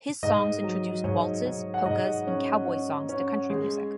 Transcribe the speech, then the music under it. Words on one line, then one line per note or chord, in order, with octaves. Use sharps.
His songs introduced waltzes, polkas, and cowboy songs to country music.
G#2 D#5
F#3
G#2 C#5
G#2
F#5
G#2 D#5
C#4
C#4
C#4
G#3